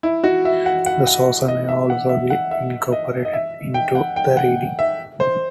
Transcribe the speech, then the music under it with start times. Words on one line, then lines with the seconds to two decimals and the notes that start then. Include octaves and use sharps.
The saucer may also be incorporated into the reading.
0.03 E4
0.24 F#4
0.45 E5
0.66 F#5
0.86 F#5
1.07 F#5
1.48 D#5
1.69 E5
1.90 F#5
2.09 E5
2.30 F#5
2.51 E5
2.92 D#5
3.25 D#5
3.33 E5
3.74 G5
3.95 F#5
4.16 G5
4.37 F#5
4.79 E5
5.20 C5